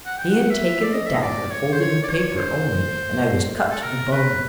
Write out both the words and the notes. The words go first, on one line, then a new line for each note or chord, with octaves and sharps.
He had taken the dagger folded in paper only, and I was cut to the bone.
F#5
G5
F#5
E5
D5
D#5
E5
D#5
D5
C#5
C5
C#5
D5
C#5
C5
A4
A#4
B4